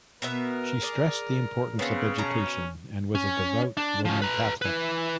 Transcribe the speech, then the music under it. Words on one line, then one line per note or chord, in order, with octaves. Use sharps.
She stressed the importance of education and was a devout Roman Catholic.
B2 B3 A#4 E5
G#4 D5
C#3 B3 C4
B2 C#4 A#5
C#4
D4
F3 C#4
B4 A#5
E4 B4